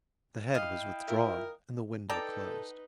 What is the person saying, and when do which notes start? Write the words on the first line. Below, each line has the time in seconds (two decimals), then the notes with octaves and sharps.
The head was withdrawn and the window closed.
0.54 E4 D#5 F5 G5
1.08 F4 A#4 E5
2.09 D#4 A4 B4 D5 G5 A5 A#5